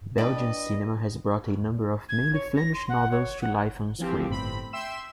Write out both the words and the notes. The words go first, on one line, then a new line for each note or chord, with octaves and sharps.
Belgian cinema has brought a number of mainly Flemish novels to life on-screen.
D4 B4 D5 D#5 G5
G#6
C#5
A#6
C6
F#5
C#5
F#5
E3 F3 C4 G4
G1 A2 C4 B5
E5 G5 C6 E6 E7